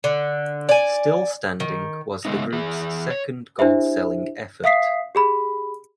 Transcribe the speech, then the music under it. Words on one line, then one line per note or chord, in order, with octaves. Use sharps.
"Still Standing" was the group's second gold-selling effort.
D3
D5 G#5
D#3
C#3 G#3 A3 B3 D#4
E3 G#4
C#5
D4 E4 G4 C5 E5
E5 F5 D#6 B6 C7
G4 G#4 B5